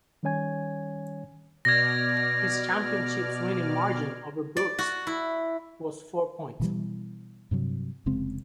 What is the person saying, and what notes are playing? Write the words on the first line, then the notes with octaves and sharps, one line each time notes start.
His championship-winning margin over Brooks was four points.
D#3 G3 C#4 C#5 G#5 G#6
B2 D5 F6 G#6 A#6
D5
F#4
E4
B2 E3 G3
G2 C3 F#3
F1 C#3 G#3 C4